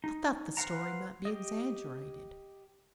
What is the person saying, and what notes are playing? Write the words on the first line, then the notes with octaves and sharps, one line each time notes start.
I thought the story might be exaggerated.
D#4
B4 C5 F5 F#5 A#5
G4 D#5